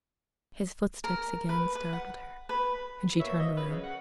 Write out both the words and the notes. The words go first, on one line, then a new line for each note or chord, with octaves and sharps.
His footsteps again startled her, and she turned round.
A#4
B4
B4
F#5
B4
B2 A#3 C#5 E5
F3 D#5
C#3 F#3 A#3 B4
C#3
F#5